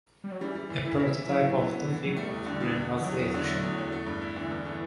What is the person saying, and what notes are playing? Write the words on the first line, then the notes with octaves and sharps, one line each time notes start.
A prototype of the Figma figurine was later shown.
G3
F#3
E3 G3
G3
A2
E4
E4
E3 E4
F#3 E4
A2
B3
B3
D3
A2
E3
A2 F#3
G3 A3
E2
D3
E2
E2
E2
E3
E2 F#3
E2
D3
A3
E2
E2
A3
G2
E4
D3 E3
G2
A3